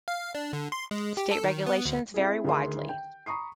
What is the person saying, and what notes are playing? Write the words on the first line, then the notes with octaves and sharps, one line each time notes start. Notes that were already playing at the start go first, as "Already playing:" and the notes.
State regulations vary widely.
F5
D4
D3
C6
G#3
G4
A4
D#3
B3
D2
C4 E4 G#4
D2 D#3 G#4 A#4 C6
G5
A#5 B5 C#6 D#6 C7